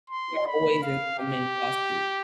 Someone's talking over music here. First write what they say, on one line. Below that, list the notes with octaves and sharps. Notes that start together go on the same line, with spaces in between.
they are always in so many lawsuits.
C6
B5
F5
G4